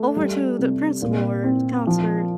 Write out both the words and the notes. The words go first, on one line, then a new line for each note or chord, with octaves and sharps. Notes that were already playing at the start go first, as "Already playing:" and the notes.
over to the principal or counselor,
Already playing: A3
G3
C3
A#2
C4
F3